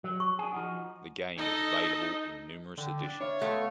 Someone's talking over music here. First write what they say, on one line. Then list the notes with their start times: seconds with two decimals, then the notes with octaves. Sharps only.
The game is available in numerous editions.
0.04 F#3
0.20 C#6
0.39 D4 G#4
0.53 F3 D#4 F#4
1.38 D#4 A4 D#5
2.77 D3 G5
3.03 D4
3.21 E4 C#5 F5
3.41 A3 B3 F4